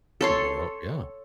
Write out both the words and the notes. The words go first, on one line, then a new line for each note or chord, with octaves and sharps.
Worl Yeah.
A4 C#5 C6